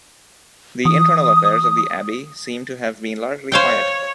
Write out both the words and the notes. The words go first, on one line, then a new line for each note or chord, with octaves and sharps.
The internal affairs of the abbey seem to have been largely quiet.
E3 D#6
C5 C#5 F5 G5